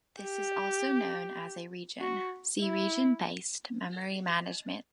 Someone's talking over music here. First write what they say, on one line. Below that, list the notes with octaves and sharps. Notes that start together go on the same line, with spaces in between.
This is also known as a "region"; see region-based memory management.
G4
F#4
E4